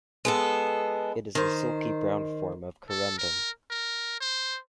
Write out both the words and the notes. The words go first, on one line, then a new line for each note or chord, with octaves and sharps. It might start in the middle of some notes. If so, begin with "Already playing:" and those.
It is a silky brown form of corundum.
G#3 B3 A4
D#3 C5
A4
A#4
A#4
C5